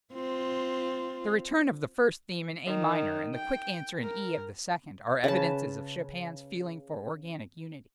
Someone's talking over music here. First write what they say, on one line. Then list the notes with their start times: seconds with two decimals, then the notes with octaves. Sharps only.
The return of the first theme in A minor and the quick answer in E of the second are evidences of Chopin's feeling for organic unity.
0.13 C4 F4
2.67 D#3
3.35 G5
4.02 A#4
5.24 C#3 B4 A5